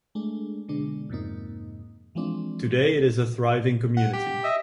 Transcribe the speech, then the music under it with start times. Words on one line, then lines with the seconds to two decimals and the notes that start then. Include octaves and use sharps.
Today it is a thriving community.
0.15 G#3 A3 D4
0.68 B2 D3 G#3 D4
1.10 F2 G#2 C3 A#3 D#4
2.15 E3 F3 G#3 C4 D4
3.97 F#5
4.14 G4
4.44 D#5 E5